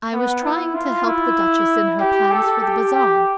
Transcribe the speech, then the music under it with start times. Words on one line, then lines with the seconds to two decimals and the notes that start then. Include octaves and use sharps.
"I was trying to help the Duchess in her plans for the bazaar."
0.13 B3
0.43 E4
0.74 F4
1.06 E4
2.00 G4
2.31 A4
2.63 G4
2.94 G4